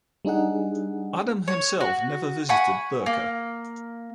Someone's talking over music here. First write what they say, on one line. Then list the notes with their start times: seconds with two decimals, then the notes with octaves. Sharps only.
Adam himself never visited Birka.
0.25 G3 D4 D#4 G#4 F#5
1.48 C#5
1.80 F#4
2.49 F#5 G#5 B5 C#6
3.06 A#3